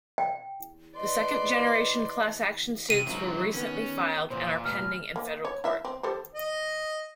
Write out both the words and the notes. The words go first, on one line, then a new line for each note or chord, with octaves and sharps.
The second generation class-action suits were recently filed and are pending in Federal Court.
G5
B4 D5 D#5 C6
C3 D#7
G#1 C#2 D#3 F3 F#3
D#3 B3 C#4
E2 A#2 C5
F1 F6
A#3
C#5
E4 A#4 E5
C4
G4 A4 C5
D#5